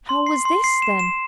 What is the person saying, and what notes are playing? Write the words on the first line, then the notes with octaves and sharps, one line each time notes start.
How was this, then?
C6
C7
C6
C7
E7
E7